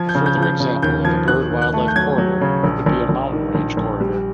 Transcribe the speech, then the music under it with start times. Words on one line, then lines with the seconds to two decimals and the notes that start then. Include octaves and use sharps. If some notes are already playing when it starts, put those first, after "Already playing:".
A further example of a bird wildlife corridor would be a mountain range corridor.
Already playing: F3 G#6
0.09 G6
0.15 C#3
0.26 G6
0.37 F3
0.42 G6
0.60 C#3
0.83 D#2 G6
1.05 F3 G#6
1.28 D#2 F#6
1.50 D#2
1.62 F#6
1.73 A3
1.88 G6
1.96 F#3 G#6
2.18 F#3
2.41 C#3
2.64 A#1
2.86 A#1
3.09 A#1
3.32 D#3
3.55 A#1
3.77 A#1
4.00 G3